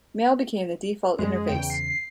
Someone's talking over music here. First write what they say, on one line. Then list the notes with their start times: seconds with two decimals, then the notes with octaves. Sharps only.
Mail became the default interface.
1.19 F#2 F3 G#3
1.49 E2 C#3 G5
1.70 C7